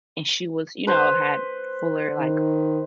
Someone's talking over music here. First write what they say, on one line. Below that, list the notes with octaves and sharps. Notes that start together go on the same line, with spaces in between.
and she was, you know, had fuller like
B4 C5
D#3